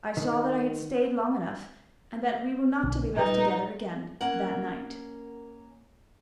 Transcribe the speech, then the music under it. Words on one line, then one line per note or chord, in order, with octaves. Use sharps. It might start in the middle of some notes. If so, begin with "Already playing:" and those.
I saw that I had stayed long enough, and that we were not to be left together again, that night.
D#3
B1 D3
A#2 G3 D#4 B4
A#3 C#4 A#4 F#5